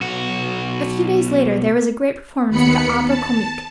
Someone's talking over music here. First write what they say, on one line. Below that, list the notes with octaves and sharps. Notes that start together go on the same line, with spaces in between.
A few days later there was a great performance at the Opera Comique.
B1 F#4
D#2 B3 B5 C#7
A5